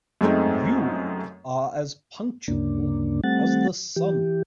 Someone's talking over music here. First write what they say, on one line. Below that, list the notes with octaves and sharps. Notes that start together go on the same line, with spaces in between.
You are as punctual as the sun.
F#2 G#3 A3 C4 D#4
D2 G2 C#3 A#3 D4
G3 A3 C4 F#5 A6
E3 G4